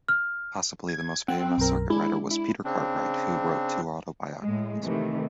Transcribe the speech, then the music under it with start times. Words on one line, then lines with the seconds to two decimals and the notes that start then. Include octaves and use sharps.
Possibly the most famous circuit rider was Peter Cartwright who wrote two autobiographies.
0.08 F6
0.89 G#6
1.28 C4 F#5
1.58 B1 F#2 A#4
1.90 G#3 D4 E4
2.31 E4
2.65 C#3 C4 D4
4.42 A2 G#3
4.82 C3 D#3 E3 A3